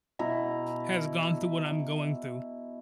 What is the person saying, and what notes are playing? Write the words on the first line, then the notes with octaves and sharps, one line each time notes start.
has gone through what I'm going through.
B2 E4 A#5